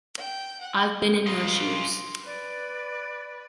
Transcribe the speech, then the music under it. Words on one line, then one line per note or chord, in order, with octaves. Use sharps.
I’ve been in your shoes.
G5
F#5
F4 D#5
B4 D5